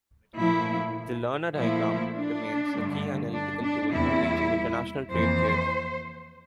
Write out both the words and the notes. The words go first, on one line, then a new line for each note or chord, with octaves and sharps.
The "Lerner Diagram" remains a key analytical tool in teaching international trade theory.
A#2 F3 A3 E4
A#2 F3 A3 E4
D4
G2 D3 A3
D4
D4
E2 C3 G3 A#3 E4
F2 E3 A#3 C5